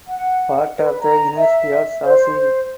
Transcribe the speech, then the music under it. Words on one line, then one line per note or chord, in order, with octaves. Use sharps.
Part of the University of Sousse.
F#5
B4
A#5
E5
C5